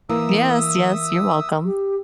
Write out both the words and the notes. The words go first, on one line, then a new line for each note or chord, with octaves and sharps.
Yes, yes. You're welcome.
E3 A#3 E5 D#6 E6
G4